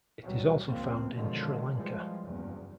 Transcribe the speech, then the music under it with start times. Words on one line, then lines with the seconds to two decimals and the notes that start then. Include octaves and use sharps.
It is also found in Sri Lanka.
0.22 D2 B2 F#3 G3
0.67 C#2 G2 F3 A#3 C4
1.12 F#2 B2 D3 D#3 F3 G#3
1.76 E3 F3 G3 G#3
2.24 F#1 E2 G2